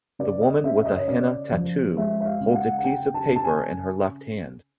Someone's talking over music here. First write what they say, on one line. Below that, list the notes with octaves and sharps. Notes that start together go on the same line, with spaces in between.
The woman with a henna tattoo holds a piece of paper in her left hand.
C#3 D5
D#5
C#3 E5
E5
D#5
C#5
C#3 D5
F3
G#3 E5
E5
F5
C#3
F5
F#5
F#5
C#3 G5
A5
C#3
A5
G#5